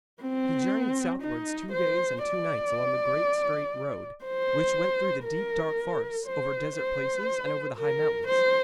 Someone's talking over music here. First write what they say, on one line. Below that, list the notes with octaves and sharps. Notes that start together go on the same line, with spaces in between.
He journeyed southwards two days and two nights along the great straight road, which went through the deep dark forests, over desert places and over the high mountains.
C4
D#4
C5
D5
C5
A#4
C5
C5
A#4
C5